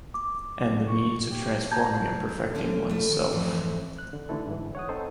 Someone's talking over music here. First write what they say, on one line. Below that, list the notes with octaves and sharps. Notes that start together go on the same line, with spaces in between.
And the means of transforming and perfecting oneself.
D6
C#6
G4
A5 A#5 G6 G#6
D3
D3 C#4 D4
A3 E4
D#3 C#5
F2 G#2 E3 G#3 A3
F#6
D3
D3 E3 A3 E4 A4
G#2 E3
C#5 F#5 D#6
C4 D#4 A4 C5